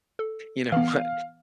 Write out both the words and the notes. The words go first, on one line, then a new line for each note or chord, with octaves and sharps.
you know what,
A4
E3 B3 F5